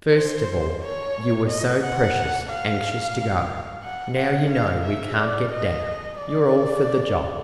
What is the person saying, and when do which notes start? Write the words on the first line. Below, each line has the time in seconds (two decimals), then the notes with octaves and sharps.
First of all, you were so precious anxious to go. Now you know we can't get down, you're all for the job.
0.15 C5
0.82 C#5
1.49 D#5
1.82 F#5
2.50 F5
3.84 F#5
4.18 F#5
4.51 F5
4.85 E5
5.18 D5
5.52 D#5
6.19 D5